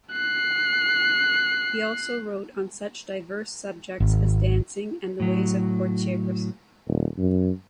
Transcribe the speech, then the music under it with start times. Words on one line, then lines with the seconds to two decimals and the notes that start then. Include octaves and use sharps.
He also wrote on such diverse subjects as dancing and the ways of courtiers.
0.13 F#6 C7
4.00 G#1
5.20 A2 F#3
6.88 D#1
7.18 F#2